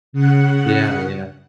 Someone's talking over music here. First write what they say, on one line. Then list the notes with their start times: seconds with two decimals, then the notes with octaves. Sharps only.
Yeah, yeah.
0.13 C#3 F#5